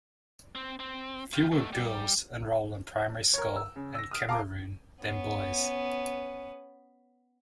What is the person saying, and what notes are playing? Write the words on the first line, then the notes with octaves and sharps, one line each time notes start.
Fewer girls enroll in primary school in Cameroon than boys.
C4
C4
F4 G4
B2 A3
G3
A#4 C#5
E6
C#3
E6 A#6
D#6 F6 D7
F5 A5 A#5 D6
B3 C#4